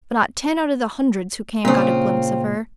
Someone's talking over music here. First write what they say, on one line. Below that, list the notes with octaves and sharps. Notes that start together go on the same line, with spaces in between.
But not ten out of the hundreds who came got a glimpse of her.
A#2 C#3 C4 F4